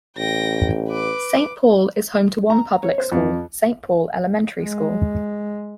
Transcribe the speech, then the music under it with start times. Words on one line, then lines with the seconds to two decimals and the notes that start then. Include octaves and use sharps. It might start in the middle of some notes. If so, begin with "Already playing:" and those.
Saint Paul is home to one public school, Saint Paul Elementary School.
0.17 A1 G5 A#6
0.88 B4 D6
2.50 A#5
2.83 C#5
2.98 C5
3.12 F2
4.61 G#3